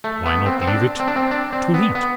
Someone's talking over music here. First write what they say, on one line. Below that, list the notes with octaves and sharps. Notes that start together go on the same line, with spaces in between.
"Why not leave it to Heat?"
A3
B3
C4
C4
D4
C4
D4
C4
D4
C4
B3
B3